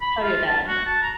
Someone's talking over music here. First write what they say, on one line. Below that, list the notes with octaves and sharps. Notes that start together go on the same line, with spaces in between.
Tell your dad.
B5
F4
A5
F#4
A5
A#5